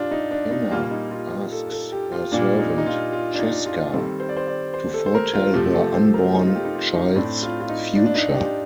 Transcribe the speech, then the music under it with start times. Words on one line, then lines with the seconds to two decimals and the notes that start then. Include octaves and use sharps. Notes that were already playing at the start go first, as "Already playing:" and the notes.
Anna asks her servant Cesca to foretell her unborn child's future.
Already playing: A#2 F3 D4 F4 G4
0.11 D#4
0.31 D4
0.51 D#4
0.71 A#2 G3 A#3 F4
0.91 D#4
1.11 F4
1.52 A4
1.71 A4
1.92 G4
2.12 F4
2.32 A#2 G3 A#3 D4
2.59 D#4
2.78 D#4
2.86 F4
3.13 F4
3.34 D4
3.39 D#4
3.66 F4
3.93 D#3 G3 C4 A4
4.20 C5
4.29 D5
4.37 C5
4.47 D5
4.74 C5
4.94 A4
5.06 C5
5.15 A#4
5.33 F4
5.54 C3 F3 A3 C4 G4
5.74 A4
5.94 C5
6.14 A#4
6.35 D#4
6.47 F4
6.55 G4
6.65 D#4
6.75 F4
6.94 D#4
7.15 A2 A3 C4 D4
7.43 F4
7.60 F4
7.69 D#4
7.96 D4
8.06 D4
8.15 D#4
8.36 G4